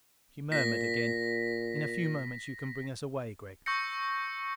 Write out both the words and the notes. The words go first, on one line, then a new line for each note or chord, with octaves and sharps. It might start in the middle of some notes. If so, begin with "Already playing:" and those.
She murmured again, "In a few moments you can bring us away, Gregg."
A#2 A#6 B6
C#6 E6 G6 A#6 C#7